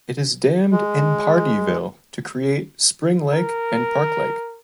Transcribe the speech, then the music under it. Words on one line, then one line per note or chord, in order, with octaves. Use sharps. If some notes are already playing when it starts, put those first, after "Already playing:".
It is dammed in Pardeeville to create Spring Lake and Park Lake.
G#3
A#4